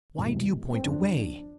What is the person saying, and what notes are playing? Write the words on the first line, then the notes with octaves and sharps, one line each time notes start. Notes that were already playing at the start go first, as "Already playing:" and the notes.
"Why do you point away?"
E1 D2 C3 E3
C4
G1 F2 D3 D4